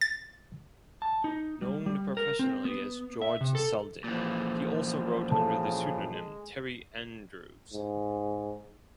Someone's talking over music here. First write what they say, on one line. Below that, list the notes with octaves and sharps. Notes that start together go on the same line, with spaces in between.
Known professionally as George Selden, he also wrote under the pseudonym Terry Andrews.
A6
A5
D#4
G3
G3
A#4
C4
B3
E5
C3
A4
A#2 E3 F3
C#3 A4 A5
G#3
G#2